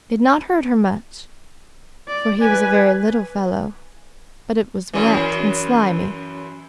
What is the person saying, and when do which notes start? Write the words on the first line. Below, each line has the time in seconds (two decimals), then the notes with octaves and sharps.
It did not hurt her much, for he was a very little fellow, but it was wet and slimy.
2.08 D5
2.41 B4 G#5
4.93 F#2 E3